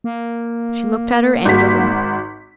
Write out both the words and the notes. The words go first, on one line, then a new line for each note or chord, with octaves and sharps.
She looked at her angrily.
A#3
G#1 F#4 B6